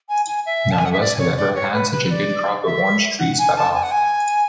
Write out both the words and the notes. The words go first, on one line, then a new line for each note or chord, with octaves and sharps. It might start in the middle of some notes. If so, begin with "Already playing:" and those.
None one of us has ever had such a good crop of orange trees cut off.
G#5
G#5
E5
A5
G#5
F#5
E5
D5
C#5
D5
C#5
B4
B4
D5
E5
F#5
G#5
A5
G#5
F#5
G#5